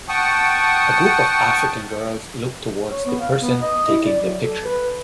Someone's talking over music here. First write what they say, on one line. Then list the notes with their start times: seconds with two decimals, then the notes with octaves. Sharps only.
A group of African girls look toward the person taking their picture.
0.09 F#5 G5 A5 C#6 D#6
2.91 C#5
3.06 B3
3.20 F5
3.39 B3
3.61 D#5
3.88 E4
4.05 D5
4.21 F#3
4.41 A4
4.64 B4